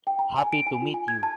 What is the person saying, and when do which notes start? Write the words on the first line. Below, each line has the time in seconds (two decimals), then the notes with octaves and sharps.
Happy to meet you.
0.07 G5
0.19 A#5
0.38 G#5
0.52 D7
0.67 G#5
0.82 F4
0.94 G#5
1.08 G#6
1.23 A5